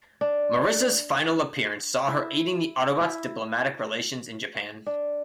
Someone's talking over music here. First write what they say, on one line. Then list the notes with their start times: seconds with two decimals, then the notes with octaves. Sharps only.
Marissa's final appearance saw her aiding the Autobots' diplomatic relations in Japan.
0.21 D4
2.08 E4
3.01 E4
4.86 D4